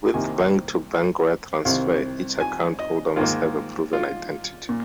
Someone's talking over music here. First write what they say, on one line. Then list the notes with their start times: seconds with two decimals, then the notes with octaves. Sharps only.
With bank-to-bank wire transfer, each account holder must have a proven identity.
0.14 C2 C3 D#3 A#3 G#5
1.65 C2 C3 D#3 F5
2.40 G#5
2.79 D#5
3.16 G#2 D#3 A#3 F4
3.93 F4
4.69 A#2